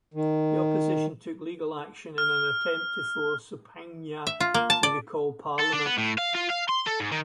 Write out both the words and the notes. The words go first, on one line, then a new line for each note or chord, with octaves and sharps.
The opposition took legal action in an attempt to force Sopoanga to recall parliament.
D#3
F6
E5
F4
A#3
A5
D5
A4
D4
B3
A2
F5
F4
F5
C6
A4
G#2
D#3